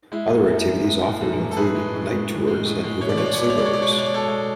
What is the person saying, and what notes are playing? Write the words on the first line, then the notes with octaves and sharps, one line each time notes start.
Other activities offered include night tours and overnight sleepovers.
G#3 E4
F#2
F#2
E3
G#3
F#2
F#2
E3
A4
A2 G#4 B4
G#3
A2
G#3
A2
G#3
A2
G#3
B2 C#5
D5
G#3 C#5
D5
C#5
B2 D5
C#5
G#3 D5
C#5
B2 D5
C#5
G#3 D5
C#5
D5
B2 A4 C#5
G#3